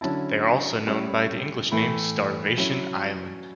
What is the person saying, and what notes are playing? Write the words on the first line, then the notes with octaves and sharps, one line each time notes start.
They are also known by the English name "Starvation Island".
D3 F#3 C#4 E4 A5
A2 G3 C#4 E4
A2 E3 A3 B5
F#3 C#4 E4